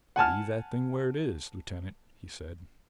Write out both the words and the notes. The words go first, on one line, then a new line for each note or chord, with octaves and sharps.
"Leave that thing where it is, Lieutenant," he said.
F#5 G#5 A5 F6